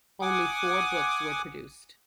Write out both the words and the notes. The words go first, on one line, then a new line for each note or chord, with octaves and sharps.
Only four books were produced.
F#5 G#5 D6 D#6